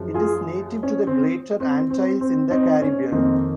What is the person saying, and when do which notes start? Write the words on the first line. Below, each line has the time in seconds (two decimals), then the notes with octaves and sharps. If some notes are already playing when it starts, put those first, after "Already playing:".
It is native to the Greater Antilles in the Caribbean.
Already playing: F#2 F3 G#3
0.14 F4 G#4
0.83 C#4
1.07 C4
1.60 C4
1.90 C4
2.21 C4
2.51 C4 D#4
2.82 C#4
3.12 F2 D#3 A#3 C4 D#4